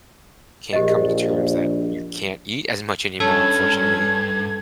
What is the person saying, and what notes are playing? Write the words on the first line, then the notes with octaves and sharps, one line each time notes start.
can't come to terms that you can't eat as much anymore, unfortunately.
A#1 G4 D#5
G2 C#4 A4 G#6